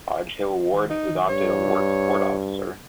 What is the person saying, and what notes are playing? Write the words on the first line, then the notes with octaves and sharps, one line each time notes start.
Hodge Hill Ward has adopted a Ward Support Officer.
D#4
G2 C#5